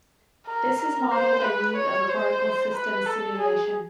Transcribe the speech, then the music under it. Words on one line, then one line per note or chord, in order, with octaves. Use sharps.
This is modelled by means of a particle system simulation.
A#4
A#4
C5
B4
C#5
C5
B4
A4
G#4